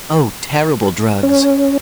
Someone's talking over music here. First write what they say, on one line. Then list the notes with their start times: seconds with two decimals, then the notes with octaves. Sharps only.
"Oh! terrible drugs."
1.23 C#4